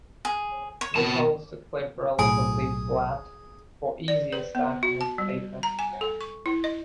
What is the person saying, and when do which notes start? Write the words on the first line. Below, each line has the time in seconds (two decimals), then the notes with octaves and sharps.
This holds the clip relatively flat, for easier stacking of paper.
0.25 G#4
0.81 C#5
0.96 B2 A5
2.19 B1 A2 G#4 G#5
4.08 D5
4.33 B4
4.55 B3
4.83 F#4
5.01 A5
5.18 G3
5.63 A#5
5.79 G#5
6.01 A4
6.21 C#6
6.46 E4
6.64 D#5